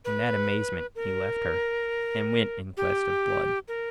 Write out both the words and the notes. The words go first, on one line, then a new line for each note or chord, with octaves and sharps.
In that amazement he left her, and went in quest of Blood.
B4
A#4
G4
A#4